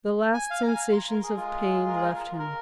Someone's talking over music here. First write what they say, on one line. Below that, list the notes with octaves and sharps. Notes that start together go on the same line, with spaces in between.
The last sensations of pain left him.
G#5
F5
A#5
G#5
C6
A#5
A#4
G#4
G#3 F4 G#4
A#4
G#4
A#4
A#4